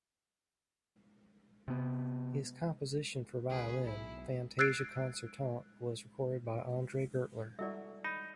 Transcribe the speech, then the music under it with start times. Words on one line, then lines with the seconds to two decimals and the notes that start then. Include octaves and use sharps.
His composition for violin, "Fantasia concertante" was recorded by Andre Gertler.
1.68 C3 B3
3.50 C#2 G#4 B4
3.84 B1 E4
4.59 E6 F#6 G#6 A6 C7 D7
7.59 G3 E4 F#4 A4 D5 E5
8.04 D#4 B5